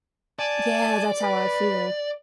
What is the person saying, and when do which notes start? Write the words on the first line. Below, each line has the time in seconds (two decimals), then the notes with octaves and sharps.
Yeah, that's how I feel.
0.39 D5 G#5 A5
1.22 B4